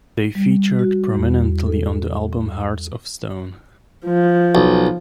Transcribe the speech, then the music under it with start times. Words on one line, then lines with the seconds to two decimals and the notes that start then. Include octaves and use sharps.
They featured prominently on the album "Hearts Of Stone".
0.35 G3
0.79 F#4
1.15 E2
1.66 A4
4.05 F3
4.55 B1